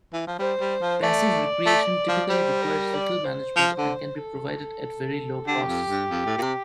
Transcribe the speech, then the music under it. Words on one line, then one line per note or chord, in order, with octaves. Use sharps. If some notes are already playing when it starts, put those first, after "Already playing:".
Passive recreation typically requires little management and can be provided at very low costs.
E3
F3
G3 C5
G3
F3
A3 D5
A3
F3
G3 C5
A#4
D5
C5
F3
D3
A4
D3 G4
F2
G2
F2
A2
A#2
C3